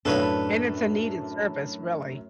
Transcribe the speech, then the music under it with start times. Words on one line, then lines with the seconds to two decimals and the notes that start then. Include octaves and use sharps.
And it's a needed service, really.
0.05 B1 F#2 A2 D4 A4 B4 C#5
0.20 A5 B5